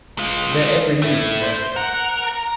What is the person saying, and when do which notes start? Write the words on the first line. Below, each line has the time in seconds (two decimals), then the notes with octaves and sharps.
Their every move was known to him.
0.18 G#3 F4
1.02 A3 E4
1.41 C5
1.76 A#4 F#5
2.25 A#5